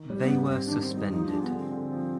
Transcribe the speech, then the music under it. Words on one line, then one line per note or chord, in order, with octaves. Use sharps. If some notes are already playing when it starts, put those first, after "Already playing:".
They were suspended.
Already playing: D#3
G3
B3
G#2
B3
G#2 C4
D4
D#3
C4
G3
D#4
D4
F3 D#4
D4
G#3
B3
D3
C4
D3
F3